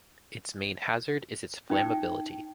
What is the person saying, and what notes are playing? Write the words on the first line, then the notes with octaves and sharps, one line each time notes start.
Its main hazard is its flammability.
C#4 D#4 G5